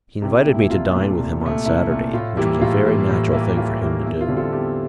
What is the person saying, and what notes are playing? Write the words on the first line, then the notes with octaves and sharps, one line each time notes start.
He invited me to dine with him on Saturday, which was a very natural thing for him to do.
C2 E4 G4
E4 G4
A#2 A3
E4
C2 F4
A#2 A3
C2
A#2 A3
C2 E4
A#2 A3
A2 F4
E3 G3 A#3 E4 G4
A2 F4
E3 G3 A#3
A2
E3 G3 A#3
A2 F4
E3 G3 A#3
E2 E4
F4
D3 G3 C4
F4 A4
E2 E4 G4